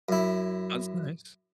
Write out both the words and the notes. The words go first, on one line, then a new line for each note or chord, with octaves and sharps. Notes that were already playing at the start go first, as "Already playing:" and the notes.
That's nice.
F#2 E4